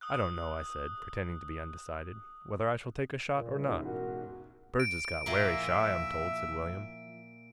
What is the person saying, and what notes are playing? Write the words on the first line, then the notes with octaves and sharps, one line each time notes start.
'I don't know,' I said, pretending to be undecided, 'whether I shall take a shot or not.' 'Birds is got wery shy, I'm told,' said William.
D#6 E6 F#6
A#2
C#2 A2 G3
E1 A1 G#2
F#4 A#4
D7
A#2 F3 A#3 E4 E5